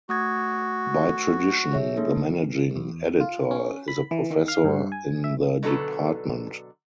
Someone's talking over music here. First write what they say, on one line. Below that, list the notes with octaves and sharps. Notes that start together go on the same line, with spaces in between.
By tradition, the managing editor is a professor in the department.
A3 F#4 D#6 G#6
G#4 C#5 E5
A#3 D#4 A4
E2
F4
C#4
B5
E3
D#3
F5
G2
G#5
E5
B2 D3 F#3 D#4 A4 B4